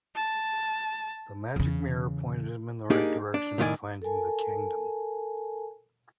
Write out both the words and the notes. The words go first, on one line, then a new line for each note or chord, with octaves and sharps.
The magic mirror pointed him in the right direction to finding the kingdom.
A5
E2 C#3
A#3 D4 D#4 G4 G#4
D4
C2 A2 D#3 F4 D5 G#5
A4 A#4 G#5 A5